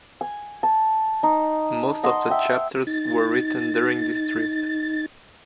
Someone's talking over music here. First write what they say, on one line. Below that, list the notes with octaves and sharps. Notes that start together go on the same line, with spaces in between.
Most of the chapters were written during this trip.
G#5
A5
D#4
D#5 F#5 C6
E5 G5
D#4 A6